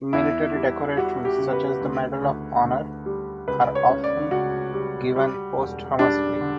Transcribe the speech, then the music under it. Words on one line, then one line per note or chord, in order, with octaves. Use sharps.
Military decorations, such as the Medal of Honor, are often given posthumously.
E2 E4
G3
G3 F#4
G4
C#3
B4
D2
D2
D2
G3
C#2 B4
C#5
C#3
D5
C#2 F#4
G3
G3
E1
G3 D4
D3